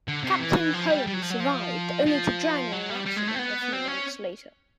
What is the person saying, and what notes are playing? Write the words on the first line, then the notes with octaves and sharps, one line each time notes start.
Captain Holm survived, only to drown in an accident a few months later.
D3
C3
E3
F3
G3
G3
F#3
F3
F#3
F3
F3
F#3
G3
G3
G#3
A3
C4
B3
C4
C#4